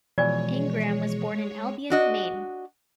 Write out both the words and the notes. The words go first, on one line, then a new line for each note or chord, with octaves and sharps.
Ingraham was born in Albion, Maine.
B2 E3 F3 G#3 C#5 D5 G#5
D4 F#4 D#5